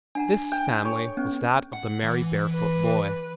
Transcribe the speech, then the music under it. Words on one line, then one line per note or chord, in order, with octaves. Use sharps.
This family was that of the merry barefoot boy.
D4 F#5 G#5 A#5
G5
A4 C#5
B3 C#4
F#5
E3
B4